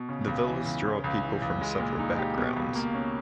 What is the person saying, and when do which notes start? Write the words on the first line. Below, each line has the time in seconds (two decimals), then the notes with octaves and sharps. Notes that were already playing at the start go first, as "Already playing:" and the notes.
The villas draw people from several backgrounds.
Already playing: B2
0.09 C#3
0.27 C#2
0.47 E3
0.65 C#2
0.85 C#3
1.04 C#2
1.23 E3
1.42 C#2
1.61 G#3
1.80 A#2
1.99 D#4
2.18 G4
2.38 B2
2.56 C#2
2.75 A#3
2.94 C#4